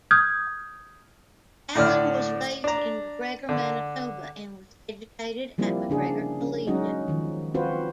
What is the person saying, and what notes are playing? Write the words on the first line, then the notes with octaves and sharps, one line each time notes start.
Allan was raised in MacGregor, Manitoba and was educated at MacGregor Collegiate.
D#6 F6 G6 G#6
A2 D3 D4 F6
D4 A#5
D3
F3 G3 A#3 C4 E4
C#3 D4 G#4
C#4
F#3 G#3 C#4 D#4 F#4 D#5
D#3 F3
C4 F4 F#4 B4 C5